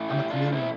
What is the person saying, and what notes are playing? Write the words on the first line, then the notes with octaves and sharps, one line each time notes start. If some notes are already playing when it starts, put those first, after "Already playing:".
I'm a comedian.
Already playing: A2 E3
E4 G4
D4 F4
C4 E4